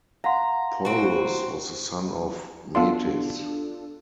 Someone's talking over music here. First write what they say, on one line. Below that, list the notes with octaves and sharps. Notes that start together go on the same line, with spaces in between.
Porus was the son of Metis.
F5 F#5 A#5 C6
C4 F#4
B3 D4 F4 A4 F5 C6